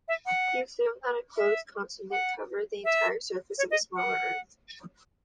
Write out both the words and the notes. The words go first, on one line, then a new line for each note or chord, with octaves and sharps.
He assumed that a closed continent covered the entire surface of a smaller Earth.
E5
F#5
E5
F#5
E5
C#5
D#5
F#5